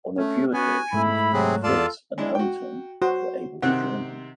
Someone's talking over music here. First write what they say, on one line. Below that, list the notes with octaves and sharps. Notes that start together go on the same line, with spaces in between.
On a few occasions, Fitz and Hunting were able to join them.
A3 C#4
B3 C#4 F#4 G#5
G#2 G#3 A3 E4 B5
C3 F#3 C4 G#4
E2 F4 A4 D5 A5
G#3 D4 E4
F#4 G5
F#4 C5
C3 D#3 C4 F#5